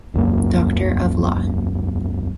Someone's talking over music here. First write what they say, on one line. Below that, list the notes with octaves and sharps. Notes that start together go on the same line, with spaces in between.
Doctor of Law.
E1 C#2 F#2 A#3